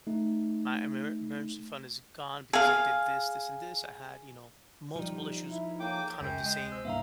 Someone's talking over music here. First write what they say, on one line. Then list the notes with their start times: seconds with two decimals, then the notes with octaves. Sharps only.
my emer emergency fund is gone because I did this, this, and this, I had, you know, multiple issues, eh, kind of the same,
0.07 A3 D#4
2.53 G#4 F5
4.96 F#2 F3 G3 D#4
5.49 E4
5.80 A#3 G#4 A4 C#5 G5 D6
6.21 C#2 F#2 G5 G6
6.44 G#3
6.72 C5 E6
6.85 C2 G2 A#3 B3 E5 F5 A#5